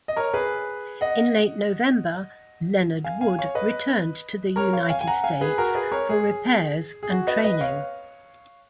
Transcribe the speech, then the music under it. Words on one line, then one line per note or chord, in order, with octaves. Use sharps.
In late November, "Leonard Wood" returned to the United States for repairs and training.
D#5
A#4 C#5
G#4 B4
D#5 F#5
F5 G#5
F5 G#5
C#5 F5
B4 D#5
A#4 C#5
C#5 F5
F5 G#5
G#5
F#5 A#5
F5 G#5
G#4 B4
F#4 A#4
G#4 B4
A#4 C#5
G#4
G#4
F#4
B4 D#5
B4 D#5
C#5 F5